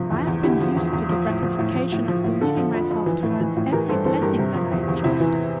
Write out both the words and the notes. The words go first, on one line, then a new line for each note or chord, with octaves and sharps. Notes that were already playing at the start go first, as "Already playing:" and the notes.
I have been used to the gratification of believing myself to earn every blessing that I enjoyed.
Already playing: G2 C3 F3
E2
E2
D3 E4 G4
F3
E2
E2
F3
A2
F3
A2
F3
A2
F3
A2
D3 F4 A4
F3
F2
F2
E3
A2
E3
A2
E3 G4 A#4
G2 A4 C5
E3 A4 C5
G2 G4 A#4
C3
F3
E2
E2
C3 E4
E3